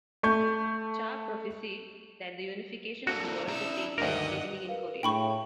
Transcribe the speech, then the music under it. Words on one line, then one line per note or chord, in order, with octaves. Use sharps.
Cha prophesied that the unification of the world would take place beginning in Korea.
A3 C#6 G6
A#3 D4 F#4 A4
E4 A#5 E6
D2 G2 D#3 A#4 D#5 F#5
A#4 B4 F5
A2 D4 G#4 G5 B5 C#6